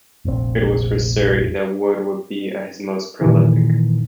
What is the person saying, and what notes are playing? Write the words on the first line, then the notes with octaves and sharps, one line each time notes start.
It was for Surrey that Wood would be at his most prolific.
F1 A#1 C4
F2 A#2 D#3 E3